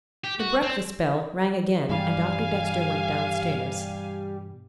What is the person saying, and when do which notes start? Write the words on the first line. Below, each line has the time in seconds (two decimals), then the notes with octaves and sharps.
The breakfast bell rang again, and Doctor Dexter went downstairs.
0.24 G4
0.39 F#4
0.62 C4
1.89 G2 B2 E3 G3 F5 G#5